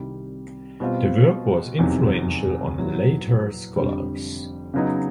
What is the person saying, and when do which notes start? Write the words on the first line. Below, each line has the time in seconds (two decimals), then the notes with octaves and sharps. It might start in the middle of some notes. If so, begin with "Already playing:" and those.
The work was influential on later scholars.
Already playing: C2 C3 D#3 G3
0.80 B2 G3 C4 F4
1.79 F1 E2 C3 D#3 F#3
2.77 A#2 F#3 B3 E4
3.76 F1 F2 D3 G3
4.74 C#3 F#3 B3 D#4